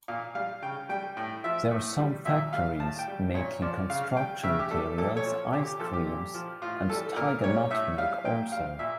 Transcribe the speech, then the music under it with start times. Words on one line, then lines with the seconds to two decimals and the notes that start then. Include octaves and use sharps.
There are some factories making construction materials, ice creams and tiger nut milk, also.
0.08 A#2 F5
0.35 G3 F5
0.62 C#3 G5
0.89 G3 G5
1.17 A2 G5
1.44 F3 E5
1.71 A2
1.99 G3
2.25 A#2 E5
2.53 G3 F5
2.80 A2 A5
2.99 G5
3.08 G3
3.34 A#2 C#5
3.62 F3 D5
3.90 C#3 F5
4.16 G3 G5
4.43 C#3 E5
4.59 G4
4.71 G3 A4
4.98 A#2 A4
5.17 C#5
5.26 F3
5.53 A#2 G4
5.66 G4
5.79 F3 A4
5.93 G4
6.07 A#2
6.34 F3
6.62 A2 F4
6.88 E3 G3 A4
7.16 A#2 A#4
7.44 G3 C#5
7.71 A2 E5
7.98 G3 F5
8.25 A#2 G5
8.52 G3 F5
8.79 A#2 E5